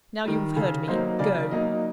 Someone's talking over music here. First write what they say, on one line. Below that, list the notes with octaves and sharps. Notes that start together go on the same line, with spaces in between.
Now you have heard me, go!
D#3 G3
C#3 A4
F#3 A#3 D#4 C5
C#3 D5
F#3 A#3 D#4 D#5